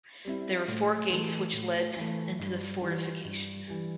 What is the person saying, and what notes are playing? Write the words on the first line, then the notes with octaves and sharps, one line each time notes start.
There were four gates which led into the fortification.
G3 C4 E4
A2
E3 A3
A2
E3
A3
G2
E3 G3
G2
E3 G3